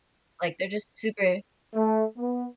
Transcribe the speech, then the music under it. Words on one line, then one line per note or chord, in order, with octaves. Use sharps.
like, they're just super
A3
B3